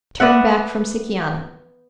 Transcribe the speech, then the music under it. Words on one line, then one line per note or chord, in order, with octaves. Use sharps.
Turned back from Sikiana.
B3 D5 E5 F#5